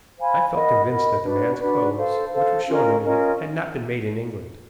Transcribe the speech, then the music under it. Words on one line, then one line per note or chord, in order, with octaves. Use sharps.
I felt convinced that the man's clothes, which were shown to me, had not been made in England.
C5 F5 G#5 B5
A#4 D#5 F#5 B5
A#4 D#5 F#5 B5
D4 F#4 B4 D5
D4 F#4 B4 D5
A4 C5 F5
A4 C5 F5
C#4 F4 A#4 D#5
C#4 F4 A#4 D#5